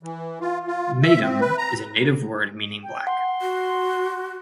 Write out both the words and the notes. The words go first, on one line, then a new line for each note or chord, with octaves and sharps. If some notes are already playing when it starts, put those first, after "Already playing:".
"Maitum" is a native word meaning black.
E3
F4
F4
E5
C4
B4
A#5
G5
F#5 C6
F#4